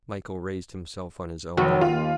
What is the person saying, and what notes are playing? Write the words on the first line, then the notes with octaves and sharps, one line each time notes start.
Michael raised himself on his elbow.
F1 D#3 F#3 F#4
D#2 F4